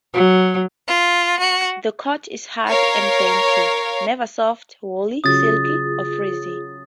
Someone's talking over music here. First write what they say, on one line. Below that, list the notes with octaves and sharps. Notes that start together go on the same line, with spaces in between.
The coat is hard and dense, never soft, woolly, silky or frizzy.
F#3
F4
F#4
A#4 C#5 F5
C#3 F#3 F4 G#4 D#6 A6